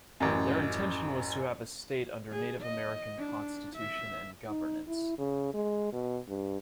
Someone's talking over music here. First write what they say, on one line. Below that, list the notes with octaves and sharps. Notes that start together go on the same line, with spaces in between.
Their intention was to have a state under Native American constitution and governance.
A1 F#2
G#4
D#5
D4
E5
D#4
E4
C#3
G#3
B2
G2